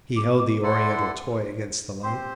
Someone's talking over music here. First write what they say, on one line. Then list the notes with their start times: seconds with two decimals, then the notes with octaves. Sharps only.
He held the oriental toy against the light.
0.16 D6
0.39 D6
0.62 E4 A4 D5 F#5 C6
2.03 C4 G4 C5 C6